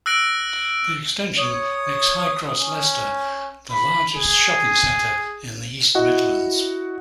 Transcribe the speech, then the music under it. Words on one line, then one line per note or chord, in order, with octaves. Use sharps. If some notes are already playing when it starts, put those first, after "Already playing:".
The extension makes Highcross Leicester the largest shopping centre in the East Midlands.
E6 F#6 A#6 D7
C#5 D#6
C#4
B5
G#4
E4 F#4 D#5 F#5